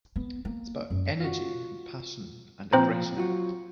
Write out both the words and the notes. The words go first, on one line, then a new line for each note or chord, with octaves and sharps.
It's about energy, and passion, and aggression.
B3
A#3
F#2
F4 F#4
A#2 F3 C4 C5 A#5
F#3 F4 F#4